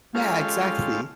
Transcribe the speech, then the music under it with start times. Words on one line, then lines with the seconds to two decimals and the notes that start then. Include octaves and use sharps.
Yeah, exactly.
0.15 G#3 C#4 F4 G4 A4 F5